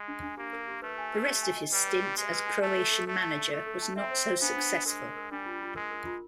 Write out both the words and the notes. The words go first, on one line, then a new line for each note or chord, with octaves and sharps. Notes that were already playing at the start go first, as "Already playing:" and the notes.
The rest of his stint as Croatian manager was not so successful.
Already playing: G#3
D4
D4
A#3 G4
A#4
G4
A3 B4
G#5
B4
G4
G#5
D#5
G3 B4
B4
G4
G#3 G4
B4
G#5
A3 A5
A4
A4
A3 A4
A5
A5
A3 A4
A4
A5
C4 E5
C5
C5
B3 D4
D4
D4
G#3 A#4
A#4
A#4
G3 D4
F4
F4
G#3 A#4
A#4
F4